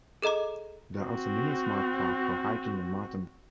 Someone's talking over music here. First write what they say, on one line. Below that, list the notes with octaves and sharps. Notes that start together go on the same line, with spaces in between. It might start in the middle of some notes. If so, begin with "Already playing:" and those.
There are also numerous marked paths for hiking and mountain biking.
G#4 A4 D#5 A#5 D6
C4 F#4